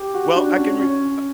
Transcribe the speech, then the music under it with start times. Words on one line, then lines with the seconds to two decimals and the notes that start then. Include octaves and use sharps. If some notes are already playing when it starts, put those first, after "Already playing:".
Well, I can re uh
Already playing: G4
0.14 F#4
0.36 D4
0.58 C#4
0.80 C#4